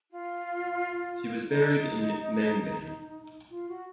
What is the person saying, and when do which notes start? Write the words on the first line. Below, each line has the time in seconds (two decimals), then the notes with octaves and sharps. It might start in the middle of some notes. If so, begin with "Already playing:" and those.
He was buried in Mengen.
0.10 F4
1.47 D#4
3.51 F4
3.68 F#4